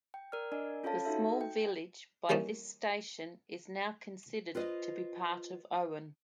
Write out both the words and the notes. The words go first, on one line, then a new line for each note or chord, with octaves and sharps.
The small village by this station is now considered to be part of Owen.
G5
A#4 D5 F6
D4 A#4 D5 D#5 G#5
C#4 F4 A4 C#5 F5 A5
D#4 F#4 A4 E5
G5
G3 A#3 C#4 D#4 E4
F4 B4 C5 D#5